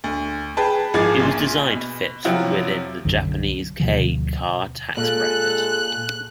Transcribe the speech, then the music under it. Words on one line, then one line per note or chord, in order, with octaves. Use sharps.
It was designed to fit within the Japanese kei car tax bracket.
D2
G#4 B4 G5 A5
G#1 F3 G#4 D6 G#6 A6
A#1 A#2 C6
B2
C3 F3 F#3 C4 E4 F#4
B1 F#2 D3 F#3
D2 B2 D3 F3
A#2 G#3 G#4 A4 F#6